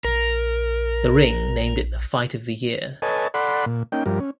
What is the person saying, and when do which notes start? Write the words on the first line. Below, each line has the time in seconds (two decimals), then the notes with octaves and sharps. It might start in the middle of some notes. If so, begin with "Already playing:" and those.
"The Ring" named it the fight of the year.
0.05 A#1 A#4
3.02 A4 B4 C#5 D#5 G#5 A5
3.34 A4 D5 F#5 B5 C6
3.66 A#2
3.92 A#3 C#4 D#4 G5
4.06 G2 F3 G3 A#4
4.20 C#4